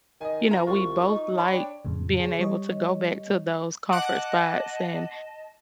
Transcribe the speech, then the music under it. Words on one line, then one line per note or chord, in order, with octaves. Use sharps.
you know, we both like being able to go back to those comfort spots, and,
D#3 D#5 G#5
F4 E5 A#5
C2 F4 C#6
D#4
C#5 A5 B5
D4 G5
F2 A2 C#3
G#4 C#5
G3 C#5 D#5
D#5 F#5 A5 D6 F#6